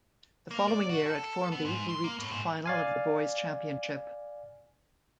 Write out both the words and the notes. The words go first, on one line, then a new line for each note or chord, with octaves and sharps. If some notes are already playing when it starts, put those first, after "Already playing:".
The following year at Formby he reached the final of the Boys Championship.
A#3
D5
F#4
A4
B3
G#2
C6
A#3
A2
G#2
D5 F5 G#5